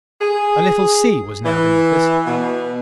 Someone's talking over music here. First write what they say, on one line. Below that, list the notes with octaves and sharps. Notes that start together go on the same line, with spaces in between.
A little sea was now beneath us.
G#4
E3
B2